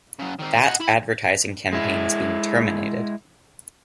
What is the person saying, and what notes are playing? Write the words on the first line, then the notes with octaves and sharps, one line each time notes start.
That advertising campaign is being terminated.
C#3 F#3
D#3 C4
D#5 F#5
E4 B5
G#3 E4